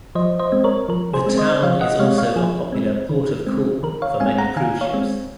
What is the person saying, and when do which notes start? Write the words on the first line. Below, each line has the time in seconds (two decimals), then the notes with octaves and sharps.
The town is also a popular port of call for many cruise ships.
0.15 F3 C5 D#5
0.39 C5 D#5
0.52 G#3 C4
0.64 A#4 C#5
0.88 F3 A#4
1.13 G#4 C5
1.26 G#3 C4
1.38 C5 D#5
1.62 F3 C#5 F5
1.81 D#5 F#5
1.99 G#3 C4 C#5 F5
2.18 C#5 F5
2.36 F3 G#4
2.72 G#3 C4
3.09 D#3
3.46 G#3 C4
3.83 D#3 A#4
4.02 C#5 F5
4.20 G#3 C4 F5 G#5
4.38 F#5 A#5
4.56 D#3 F5 G#5
4.81 C#5 F5
4.94 G#3 C4